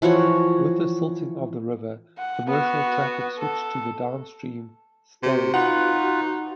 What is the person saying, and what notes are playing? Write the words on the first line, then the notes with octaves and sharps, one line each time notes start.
With the silting of the river, commercial traffic switched to the downstream Staithe.
E3 F3 F#4 C#5
F#5
B3 F#4
A4
C3 F#4
D#4 F4 B4 F#5